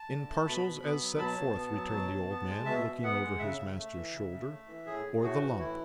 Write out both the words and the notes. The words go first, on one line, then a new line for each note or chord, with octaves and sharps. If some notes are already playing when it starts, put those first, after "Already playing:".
'In parcels as set forth,' returned the old man, looking over his master's shoulder; 'or the lump.'
Already playing: A5
D3
A3
B2 B5
B2
B3
F#3
B2 A5
B2
B3
F#3
B2
B2
B3
G#3
B2 E5
B2
B3 F#5
G#3
C#3 E5
C#3
A3
E3
C#3
C#3
A3
E3
A2 G#4
A2
A3 F#4
E3
A2 E4